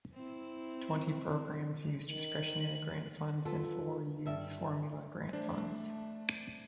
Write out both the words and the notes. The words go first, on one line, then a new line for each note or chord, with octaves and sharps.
Twenty programs use discretionary grant funds and four use formula grant funds.
C4 E4
D#3 F#7
B3 F4 A4
G2 E5
A3 D4 C5